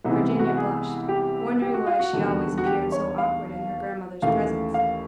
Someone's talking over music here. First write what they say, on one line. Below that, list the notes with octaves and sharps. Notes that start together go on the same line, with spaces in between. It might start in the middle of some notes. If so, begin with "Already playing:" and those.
Virginia blushed, wondering why she always appeared so awkward in her grandmother's presence.
C2 C3 E3 G#3 B3 D#4
F#4
G#4
G4
G4
F#4
F4
F#4
E1 D#2 D3 G3
F#4
G4
C#5
F5
D#2 C#3 E3 A3 F5
F5